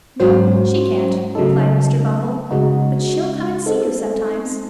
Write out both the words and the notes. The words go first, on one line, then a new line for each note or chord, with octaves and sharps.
'No, she can't,' replied Mr. Bumble. 'But she'll come and see you sometimes.'
G#2 F#3 C#4 F#4 C5
C#3 F#3 A3 D#4 A4
C#3 G#3 D#4 F#4
C4 D#4 A4